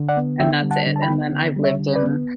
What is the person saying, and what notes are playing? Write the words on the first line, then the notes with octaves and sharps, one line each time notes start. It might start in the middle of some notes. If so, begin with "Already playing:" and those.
And that's it, and then I've lived in
Already playing: D3
D5 F#5
B3
D3 E5 G5
G3
F#5 A5
D3
A5
G5 B5
B3
D3
G3
C#5 E5
D3
B4 D5
B3